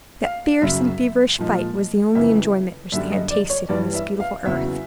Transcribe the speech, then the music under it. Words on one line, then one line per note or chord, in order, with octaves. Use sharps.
That fierce and feverish fight was the only enjoyment which they had tasted on this beautiful earth.
F5
F#2 C#3 F#3 E5
A#2 F3 G#3
F2 C#3 E3 E5
F#2 D3 G3 E5
D#5
D5
C#5
G2 E3 G3 D5
E5
F5
E2 C#3 F#3 E5